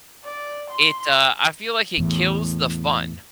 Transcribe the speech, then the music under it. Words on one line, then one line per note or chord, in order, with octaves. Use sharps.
it, uh, I feel like it kills the fun.
D5
C6
E2 A2